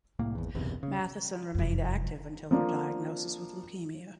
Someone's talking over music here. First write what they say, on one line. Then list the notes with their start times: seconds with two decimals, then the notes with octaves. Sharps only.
Matheson remained active until her diagnosis with leukemia.
0.19 C2 A2 A#3
0.35 G#1 E2
0.55 F#1 B1 E2 C3
0.83 C#3
1.55 F1 F#2
2.51 F3 A#3 D4